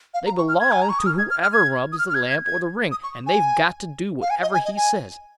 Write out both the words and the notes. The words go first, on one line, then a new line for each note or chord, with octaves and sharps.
They belong to whoever rubs the lamp or the ring, and they've got to do whatever he says.
F5
A#5
C#6
F6
G#6
G#5
A#5
C#6
D#6
F6
G#6
F6
F6
G#6
D#6
F6
F6
G#6
G#6
G#6
D#6
C#6
G#5
F5
G#5
D#5
G#5
D#5
G#5